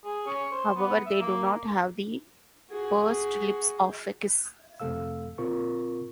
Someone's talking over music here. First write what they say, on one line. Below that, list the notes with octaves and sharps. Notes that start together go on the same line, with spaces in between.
However, they do not have the pursed lips of a kiss.
G#4
C#4
C5
B3
E5
A#3
F#4 G#4
F2 C3 A3 A4 F5 E6
A#2 C4 F4 A#4 C#6